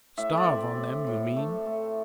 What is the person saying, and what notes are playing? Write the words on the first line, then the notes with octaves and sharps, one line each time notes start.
"Starve on them, you mean?"
A2 E5
D5
C4
A2
A2
A3
A3